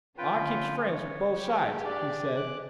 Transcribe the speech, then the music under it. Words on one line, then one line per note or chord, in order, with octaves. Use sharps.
"I keeps friends with both sides," he said.
D3 C#4 F4 B4 G5
C#5
G4 G#4
D4 D5
D6 F#6